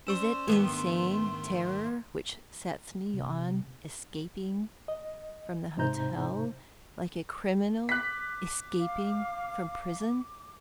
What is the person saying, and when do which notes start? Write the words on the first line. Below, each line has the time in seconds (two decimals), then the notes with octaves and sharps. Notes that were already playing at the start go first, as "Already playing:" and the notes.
Is it insane terror which sets me on escaping from the hotel like a criminal escaping from prison?
0.07 C#4 C5 D5 C6 C#6 E6 E7
0.48 G#2 D#3 A3 B3 D4 G4
3.14 C3
4.88 D#5
5.77 G#2 C3 D#4 C5 A#5 G6
7.89 D6 F#6 B6
8.79 F5